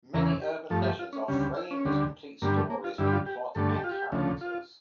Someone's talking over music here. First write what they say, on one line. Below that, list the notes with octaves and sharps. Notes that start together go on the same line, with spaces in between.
Many urban legends are framed as complete stories with plot and characters.
E2 C#3 E3 A#4
G4
G2 F3 A3 A4
G4
F4
C#4
D2 C#3 G3 C#4
E4
C#4
D2 D3 G3
G2 D3 G3 A#3
A3
A#3
F4
G2 D3 G3 E4
F4
G4
G2 D3 A3 A4
A4
G4
F4
G4
D2 C#3 F3 A3
F4